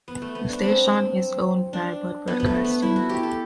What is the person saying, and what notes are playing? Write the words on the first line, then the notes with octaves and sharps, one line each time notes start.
The station is owned by Budd Broadcasting.
B3
A3
B3
D4
C4
C4
D4
B3
B3
A3
B3
E4
F#4
G4
A4